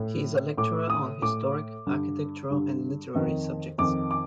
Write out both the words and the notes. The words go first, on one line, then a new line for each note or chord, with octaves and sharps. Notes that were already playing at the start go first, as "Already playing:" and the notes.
He is a lecturer on historic, architectural, and literary subjects.
Already playing: A2
A2 D6
D#6
A2 D6
G2 D3
G2 D3
F2 D#3
F2 D#3 D6
D6